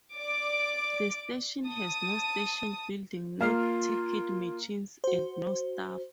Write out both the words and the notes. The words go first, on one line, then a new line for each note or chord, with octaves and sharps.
The station has no station building, no ticket machines and no staff.
D5 D6
A5 D#6
A#3 F4 F6 C7
F#4 C5